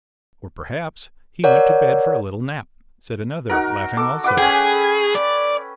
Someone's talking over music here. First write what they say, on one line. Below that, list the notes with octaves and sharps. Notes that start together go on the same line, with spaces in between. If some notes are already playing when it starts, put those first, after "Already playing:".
"Or, perhaps, he went to bed for a little nap," said another, laughing also.
A#4 C#5 D5 F#5
D#4 F#4 A#4
A4 D6
B4 F#5 D6
C#4 G#4 G5
D5